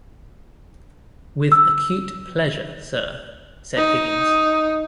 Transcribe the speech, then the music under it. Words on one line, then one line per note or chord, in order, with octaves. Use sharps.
"With acute pleasure, sir," said Higgins.
E6
D#4